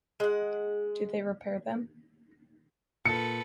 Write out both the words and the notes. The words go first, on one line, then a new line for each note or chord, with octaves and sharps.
Do they repair them?
G#3 F#5
A#2 A4 B4 C#7